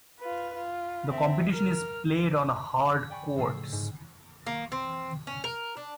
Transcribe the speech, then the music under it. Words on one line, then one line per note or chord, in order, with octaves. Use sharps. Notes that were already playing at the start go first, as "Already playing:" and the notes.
The competition is played on hard courts.
F4 B4
F4
C4 E5
A#4 F6
D5 G5 G#5 B5 C#6
A2 C#3 F3 A3 E6 C7
G#2
A#3
C4
C#4
A#4
D4